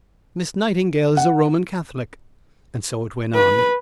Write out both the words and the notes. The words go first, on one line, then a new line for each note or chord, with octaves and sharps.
"Miss Nightingale is a Roman Catholic!" And so it went on.
F#5
B4